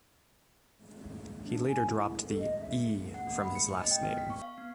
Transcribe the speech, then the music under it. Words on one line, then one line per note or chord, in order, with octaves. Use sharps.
He later dropped the "E" from his last name.
D4
G#5
E4
A4
D#5
E5
F#5
A#3
B5
C#7
D#5
G5
B3
B6
C#6
F5
B3